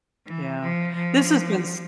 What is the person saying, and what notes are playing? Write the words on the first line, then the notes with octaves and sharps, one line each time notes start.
Yeah, this has been s
E3
F3
F3